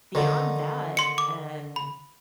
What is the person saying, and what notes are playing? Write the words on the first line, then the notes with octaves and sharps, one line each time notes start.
beyond that, um,
D3 D#3
C6 C#7
D6
B5